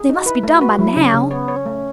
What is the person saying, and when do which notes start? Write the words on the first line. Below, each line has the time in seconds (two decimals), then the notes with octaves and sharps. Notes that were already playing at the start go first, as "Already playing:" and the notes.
"They must be done by now."
Already playing: G#4
0.09 D#4
0.16 F#4
0.26 E4 B4
0.43 A3
0.52 F#4
0.61 B4
0.79 F#3 E4
0.96 C#3
1.05 C#4
1.14 C#3
1.31 B3 C#5
1.48 C#5
1.56 C#4
1.66 A3